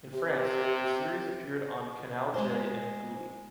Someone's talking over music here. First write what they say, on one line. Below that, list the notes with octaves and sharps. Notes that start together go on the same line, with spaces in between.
In France, the series appeared on Canal J and Gulli.
C3 G4
G#3 G#4 C5